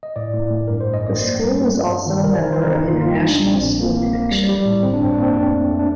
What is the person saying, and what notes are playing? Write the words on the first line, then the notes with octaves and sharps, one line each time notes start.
The school is also a member of International School Connection.
D#5
A2 D5
A2
A3
G2 A#4
C5
A1
D#5
G2 D5
A#3 C5
G3
A#3
A3
G2
D#3
C3 A#4
C5
D#3 A#4
C5
G1 A#4
G2 D#4
F4
A#3
F4
G3 D#4
A3 D4
A#1
C4
A#1
A#3
A#3
A#3
G3
G3
A2
G1 C4
D4
G2 C4
D4
A#3 C4
F2 D4
C4
A3
A3
D4